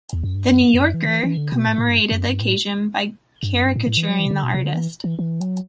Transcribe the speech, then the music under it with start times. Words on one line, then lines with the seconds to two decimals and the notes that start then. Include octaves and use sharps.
"The New Yorker" commemorated the occasion by caricaturing the artist.
0.13 E2
0.23 F#2
0.35 G2
0.50 F#2
0.74 E2
0.79 F#2
0.94 E3
1.03 D3
1.08 E3
1.23 E3
1.37 D3
1.52 B2
1.67 A2
1.78 A2
1.89 G2
2.11 F#2
2.26 G2
2.41 A2
3.43 G2
3.54 F#2
3.64 G2
3.76 A2
3.87 A2
3.97 E3
4.09 F#3
4.20 E3
4.26 C3
4.31 D3
4.44 B2
4.54 C3
4.64 D3
4.74 E3
5.04 E3
5.19 E3
5.40 F#3